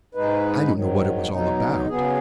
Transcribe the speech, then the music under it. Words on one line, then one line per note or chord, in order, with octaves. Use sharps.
I don't know what it was all about.
G#2 G#3 D#4 B4
G#2 D#3 F#3
B2 F#3 D#4
C#3 F#3 B3 G#4